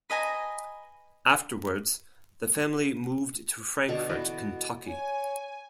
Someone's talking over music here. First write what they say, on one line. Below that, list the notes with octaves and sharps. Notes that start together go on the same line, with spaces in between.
Afterwards, the family moved to Frankfort, Kentucky.
B4 D#5 G#5 A#5
B2 D3 A4 C#6
E3 F#4 B4
C#5 G#5